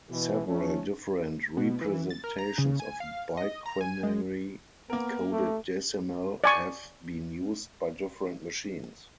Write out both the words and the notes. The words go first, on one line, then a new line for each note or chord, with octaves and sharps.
Several different representations of bi-quinary coded decimal have been used by different machines.
B2 E3
F3 A3 C#4
B2
E3
A6
A#4
A#5
C#3
G#5
F5
D#5
A#5
G#5
G#3
A#3 B3 A#4
A3
D5 G#5 C#6